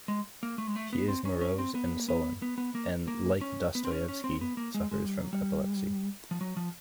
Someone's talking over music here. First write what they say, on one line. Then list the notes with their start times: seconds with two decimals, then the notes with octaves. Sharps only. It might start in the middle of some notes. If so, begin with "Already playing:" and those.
He is morose and sullen, and, like Dostoyevsky, suffers from epilepsy.
0.08 G#3
0.43 A#3
0.58 A3
0.67 G#3
0.76 A3
0.93 B3
1.08 C4
1.25 C#4
1.41 C#4
1.58 C4
1.75 B3
1.99 A#3
2.08 B3
2.42 B3
2.58 B3
2.75 A#3
3.08 A#3
3.41 C#4
3.75 B3
3.85 C4
3.91 C#4
4.08 C#4
4.24 C4
4.41 B3
4.57 A#3
4.74 G#3
4.91 G#3
5.05 G3
5.19 F#3
5.33 G3
6.31 F3
6.41 F#3
6.57 F3